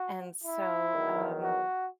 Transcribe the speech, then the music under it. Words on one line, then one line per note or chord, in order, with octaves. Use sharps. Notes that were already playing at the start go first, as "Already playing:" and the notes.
And so, um,
Already playing: F#4
E4
E2 D#3 F#3
F#4